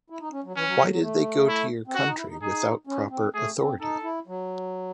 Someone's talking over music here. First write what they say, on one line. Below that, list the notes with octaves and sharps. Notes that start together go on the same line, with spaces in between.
Why did they go to your country without proper authority?
E4
D#4
C#4
F#3
E3 C#4
F#3
F#3
F#3
A3
E4
C4
C#4 F#4
D#4
E4
D#4
D#4 G#4
C#4
C4
A3 G#4
C4
D#4 A4
E4
F#3